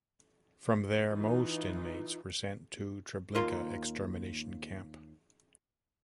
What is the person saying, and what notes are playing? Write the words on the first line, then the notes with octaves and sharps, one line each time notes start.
From there, most inmates were sent to Treblinka extermination camp.
E3 D#4 F4
D#2 A#3 F4